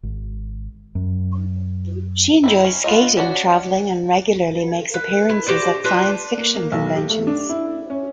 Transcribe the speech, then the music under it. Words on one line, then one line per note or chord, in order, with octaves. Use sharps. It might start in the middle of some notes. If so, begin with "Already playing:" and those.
She enjoys skating, traveling and regularly makes appearances at science fiction conventions.
G#1
F#2
D#3 E3 E4
C#4
B3 F4 C#5 D#5
C#4 D4 F#4
B4
E4
F#4 G4 C5 D5
D4 F4 B4
A#3
A#3
B1
G4
A3
D4
E4
C#4